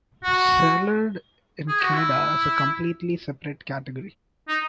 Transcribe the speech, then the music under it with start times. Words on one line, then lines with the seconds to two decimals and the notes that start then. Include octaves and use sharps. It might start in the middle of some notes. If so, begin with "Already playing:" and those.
Cellared in Canada is a completely separate category.
0.24 F#4
1.68 G#4
1.81 F#4
1.94 E4
4.48 D#4